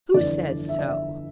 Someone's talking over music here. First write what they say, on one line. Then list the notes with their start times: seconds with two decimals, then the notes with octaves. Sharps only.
"Who says so?"
0.14 G1 F2 E3 D5
0.69 E5
0.79 D5
0.89 E5